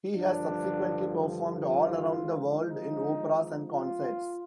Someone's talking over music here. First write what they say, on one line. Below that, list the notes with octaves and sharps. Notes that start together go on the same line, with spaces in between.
He has subsequently performed all around the world in operas and concerts.
G2 D3 F3 D4
F4
G#2 F3
D#4
F4